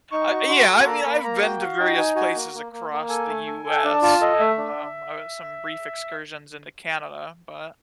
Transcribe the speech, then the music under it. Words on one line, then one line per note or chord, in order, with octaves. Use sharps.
I uh, yeah, I mean, I've been to various places across the US and, um, I had some brief excursions into Canada, but
D#4 C#6
F#4
F#4 C6
A4
A#3 A#5
A#3 B5
A#3 A#5
F#4 G5
F#4 F5
D#4 G5
D#4 G#5
F#4 G#5
A#3
A#3
A#3
A#3
A4 G#5
A3
A4
A4 G5
G#5
D4 A5
F4 A5
A4 D#5
A3 E5
D4